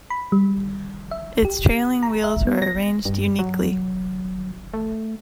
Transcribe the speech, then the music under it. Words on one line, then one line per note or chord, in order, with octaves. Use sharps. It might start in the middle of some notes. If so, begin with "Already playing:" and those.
Its trailing wheels were arranged uniquely.
B5
G3
E5
G4
A#5
E5
B3
A#6
G2
F#3
A3